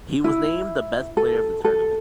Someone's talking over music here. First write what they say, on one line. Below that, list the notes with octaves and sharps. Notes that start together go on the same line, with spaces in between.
He was named the best player of the tournament.
E4
A4
A4